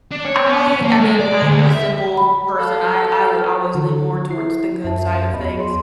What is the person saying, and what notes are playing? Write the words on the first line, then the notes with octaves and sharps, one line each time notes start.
I I mean, I'm a simple person. I I l I always lean more towards the good side of things.
D4
C#5
B3
C#4
A#3
G#3
D5
D2
E5
B5
A4 F5
D3 E3 A4
E4 C7
F#2 E5 A5
E2 D#5 B5
G#4 C6